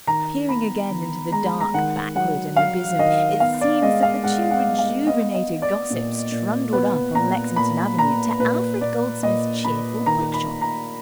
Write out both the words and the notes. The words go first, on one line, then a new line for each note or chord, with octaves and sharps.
Peering again into the dark backward and abysm, it seems that the two rejuvenated gossips trundled up on Lexington Avenue to Alfred Goldsmith's cheerful bookshop.
D#3 A#5
B3 B5
D#3
G#3 A#5
B5
A#5
D#3 F#5
F#3 F#5
F#3 F5
D#3 D#5
B3 F5
D5
G#3 D#5
F5
G#3 F#5
F#5
B3
F5
B3 D#5
D#5
B3
D5
A#2
A#2
B3 B4
A#2 A#5
A#2 B5
A#2 A#5
A#2 B4
A#2 D5
A#2 D#5
A#2 B5
D#3 A#5
B5
A#3
A#5